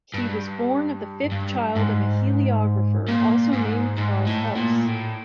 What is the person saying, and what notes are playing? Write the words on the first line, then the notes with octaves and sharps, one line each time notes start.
He was born the fifth child of a heliographer also named Karl Holz.
G2
G2
G#2
A#2
G#2
G#2
A2
A#2
A2